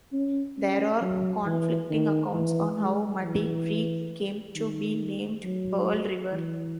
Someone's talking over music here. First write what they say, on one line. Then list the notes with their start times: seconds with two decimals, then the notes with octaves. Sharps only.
There are conflicting accounts on how Muddy Creek came to be named Pearl River.
0.12 C#4
0.57 C#4
1.01 F#3
1.46 E3
1.90 D#3
2.34 E3
2.79 G#3
3.23 E3
4.55 D#3
5.44 F#3
6.32 E3